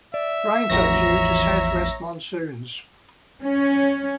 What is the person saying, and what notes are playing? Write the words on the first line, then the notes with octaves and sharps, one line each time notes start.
Rains are due to southwest monsoons.
D5 E5
A1 E2 F3 F#4 C#5 A#5 A#6
C#4